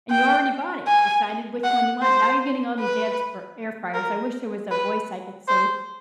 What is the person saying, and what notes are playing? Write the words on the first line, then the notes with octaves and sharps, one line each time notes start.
and you already bought it, you decided which one you want, now you're getting all these ads for air fryers, I wish there was a voice I could say,
G5
G#5
F#5
C5
B4
A#4
B4
C5